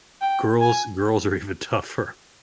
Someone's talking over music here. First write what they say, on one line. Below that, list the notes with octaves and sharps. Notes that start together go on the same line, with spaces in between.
girls girls are even tougher.
G5
G#5